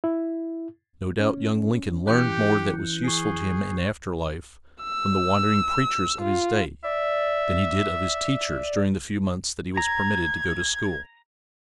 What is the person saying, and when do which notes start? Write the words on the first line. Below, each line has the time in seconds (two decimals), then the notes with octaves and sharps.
No doubt young Lincoln learned more that was useful to him in after life from the wandering preachers of his day than he did of his teachers during the few months that he was permitted to go to school.
0.04 E4
1.20 C#4
2.07 E3 G4 F#6 G6 C#7
3.04 G#4 C#6 C7
4.84 E6
6.22 F4
6.84 D5 E5
9.77 A#5 G#6